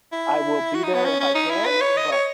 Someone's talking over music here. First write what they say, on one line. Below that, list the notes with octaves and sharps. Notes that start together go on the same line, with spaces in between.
I will be there if I can, but"
E4
F#4
D#4
B3
C#4
C#4
D#4
E4
B4
C#5
D#5
C#5